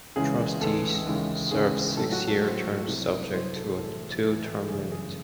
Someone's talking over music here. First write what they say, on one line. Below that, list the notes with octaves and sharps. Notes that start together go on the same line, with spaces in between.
Trustees serve six-year terms subject to a two-term limit.
C#2 C#3 E3 G#3 G#4
C#2 C#3 E3 G#3 A4
D#2 C#3 E3 G#3
D#2 C#3 E3 G#3 G#4
A2 F#3 A3 A4
F#4
A4
A2 F#3 A3 C5
C2 C3 F#3
C2 C3 F#3 C5
A4
A2 E3 A3 A4
A2 E3 A3
F#2 C#3 E3 A3 G#4
G#4